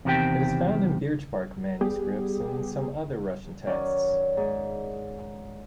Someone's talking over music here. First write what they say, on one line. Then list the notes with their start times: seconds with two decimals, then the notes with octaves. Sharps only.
It is found in birch bark manuscripts and in some other Russian texts.
0.05 E2 C3 D#3 C4 G4 G5
1.81 G3 B3 G4 G#4
3.67 D#3 F#3 C#4 D5
4.37 G#2